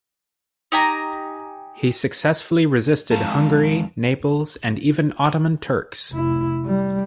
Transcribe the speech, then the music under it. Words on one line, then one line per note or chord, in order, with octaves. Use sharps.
He successfully resisted Hungary, Naples, and even Ottoman Turks.
D#4 G4 G#5 A#5
F2 D#3 G#3 F5 A5 A#5
F1 E4
G3